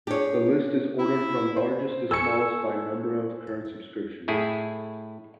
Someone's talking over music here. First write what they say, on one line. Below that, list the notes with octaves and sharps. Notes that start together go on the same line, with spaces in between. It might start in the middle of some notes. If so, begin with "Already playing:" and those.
This list is ordered from largest to smallest by the number of current subscriptions.
D4 G4 G#4 C#5
E4
C5
A4 G#5 C#6 E6 C#7
A2 E4 G#4